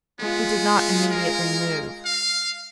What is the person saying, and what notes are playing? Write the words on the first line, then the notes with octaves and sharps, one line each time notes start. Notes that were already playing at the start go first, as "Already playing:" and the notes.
He did not immediately move.
G#3 B3 F4
A#4
F5